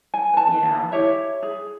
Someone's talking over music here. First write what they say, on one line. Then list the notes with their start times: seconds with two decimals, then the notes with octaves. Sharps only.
You know?
0.14 G#5
0.33 B4 A5
0.92 E4 G4 C#5 E5
1.43 G#4